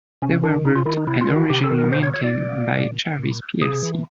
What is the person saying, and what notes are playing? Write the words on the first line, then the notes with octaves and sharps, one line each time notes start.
They were built and originally maintained by Jarvis plc.
C3 C#4
D#3 D4
C3 D#4
F4
D#3 E4
D#4
C3 E4
F4
D#3
F#4
C3 G4
A4
D#3
A#4
B2 C5
C#5
C#5
D5
B2
A#2
A#2
C3 G#4
E3